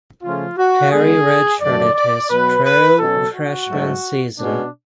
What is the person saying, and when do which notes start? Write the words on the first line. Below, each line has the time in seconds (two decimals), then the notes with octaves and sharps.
Perry redshirted his true freshman season.
0.22 C#3 F3 A3 C#4 F4
0.56 F#4
0.91 D3 G#3 B3 G#4
1.60 F#2 D3 F#3 A3 D5
1.95 D5
2.29 B2 F#3 B3 B4
2.64 B4
2.98 B2 F#3 C#4 A4
3.33 F#4
3.68 G#2 F#3 A3
4.37 B2 G#3 C#4 D4